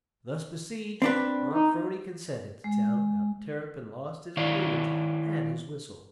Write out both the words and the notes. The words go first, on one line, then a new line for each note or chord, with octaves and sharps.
Thus besieged, Aunt 'Phrony consented to tell how the Terrapin lost his plumage and his whistle.
C4 D4 B4
D#4
G#3
D#3 E4 C#5 D5 F5